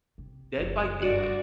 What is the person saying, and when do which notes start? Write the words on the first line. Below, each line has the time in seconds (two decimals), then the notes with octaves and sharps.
Dead by Daylight.
0.18 C3
0.58 F#1 D2
1.02 G2 F#4 D5